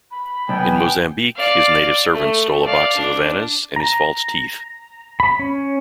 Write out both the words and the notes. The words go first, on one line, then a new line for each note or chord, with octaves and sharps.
In Mozambique, his native servant stole a box of Havanas and his false teeth.
B5
B1 B3 G5 G#5
D5 F5
A3
D5 F5
D4
A#5
B5
C#4